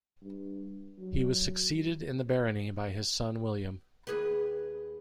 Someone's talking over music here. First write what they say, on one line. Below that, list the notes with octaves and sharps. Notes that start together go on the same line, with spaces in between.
He was succeeded in the barony by his son William.
G2
F#3
D#2 G#4 B4